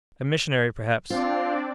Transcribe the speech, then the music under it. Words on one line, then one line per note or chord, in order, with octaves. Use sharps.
"A missionary, perhaps."
C4 D4 F4 D5